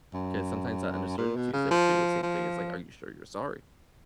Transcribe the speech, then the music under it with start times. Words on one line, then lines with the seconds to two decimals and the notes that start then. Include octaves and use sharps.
'cause sometimes that uncertainty is there too, same thing is like, are you sure you're sorry?
0.14 F#2
1.18 A#2
1.36 B2
1.53 C#3
1.71 F3
2.23 F3